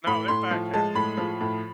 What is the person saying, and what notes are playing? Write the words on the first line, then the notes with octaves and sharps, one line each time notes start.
No, they're fat cats.
A2 B5
A2 C6
F3
G#3 A5
A2 B5
F3
A2